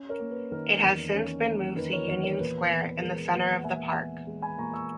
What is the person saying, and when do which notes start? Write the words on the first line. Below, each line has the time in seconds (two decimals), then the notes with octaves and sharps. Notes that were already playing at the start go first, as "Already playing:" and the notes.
It has since been moved to Union Square in the center of the park.
Already playing: C#4
0.09 A#4 C#5
0.20 A#3
0.31 B4
0.51 D#3 A#4
0.83 E2
1.14 C#4
1.45 A#3
1.76 D#3 B4
1.92 A#4 C#5
2.08 E2 A#4 C#5
2.23 A#4 C#5
2.39 A#2 B4
2.70 B3
3.02 G#3 A#4
3.33 A#2 B4
3.59 F#5
3.64 A#2 E5 G#5
3.95 B3
4.27 G#3
4.42 G#5 B5
4.58 A#2 A#5 C#6
4.73 C#6 E6